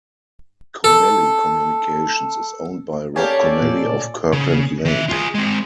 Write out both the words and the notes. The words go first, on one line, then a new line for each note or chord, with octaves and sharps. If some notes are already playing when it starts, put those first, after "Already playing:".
Connelly Communications is owned by Rob Connelly of Kirkland Lake.
A4 A5
A#3 C#4 G4 A4 C#5 D5 G#5
A#2
C#3
D#3 E5
F4 G#4
G#3 C4